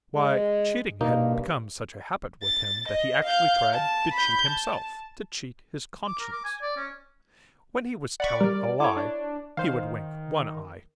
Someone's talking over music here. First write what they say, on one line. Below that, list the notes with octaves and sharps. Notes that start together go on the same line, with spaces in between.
Why, cheating had become such a habit with him that he actually tried to cheat himself--to cheat his conscience! When he was telling a lie, he would wink one eye.
G#3
G2 B2 A#3 D#4
A6
D#5
F5 G6
A5
B5 G6
A5
D6
A#4
D6
G#5
D5
C#4
D5 F#5 B5 C#6
G3 A#4
E4 A4 C#5 D6
D4
D#3 C5 F5